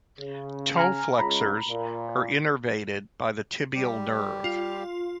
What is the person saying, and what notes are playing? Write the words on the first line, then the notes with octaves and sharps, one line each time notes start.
Toe flexors are innervated by the tibial nerve.
C#3
G#5 A#5 F6
C#2 A#5 B5
A#2
G3 G4
F4